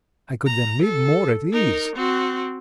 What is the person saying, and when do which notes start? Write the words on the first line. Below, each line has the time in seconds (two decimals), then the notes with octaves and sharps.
I could then live more at ease.
0.46 A#5
0.82 A4
1.52 D#4 A#4
1.96 C4 F#4